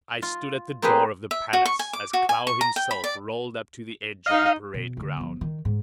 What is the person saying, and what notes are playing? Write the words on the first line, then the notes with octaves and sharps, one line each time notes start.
I stood at the door of the palace as Klow himself rolled up to the edge of the parade-ground.
F4
A#3 C4 G4 G#4 B4
E5
F#4
C#6
G#5
D6
F#4
G#5
C#6
A#5
G5
B5
D5
D#4 D#5 F5
B2
D3 A3
G1 F3
D#3
G#2